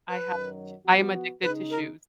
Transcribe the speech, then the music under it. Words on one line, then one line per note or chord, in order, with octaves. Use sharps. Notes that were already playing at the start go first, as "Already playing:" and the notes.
I have sh I am addicted to shoes.
B4
F#2 D#3 F#3
F3 B3 F#4
C#3 G#3 D#4 B4
A#4